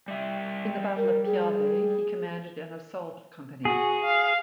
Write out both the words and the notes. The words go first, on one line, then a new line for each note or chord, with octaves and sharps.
In the battle of Piave he commanded an assault company.
G3 E5
A#4
G#4
F#4 G#4
F5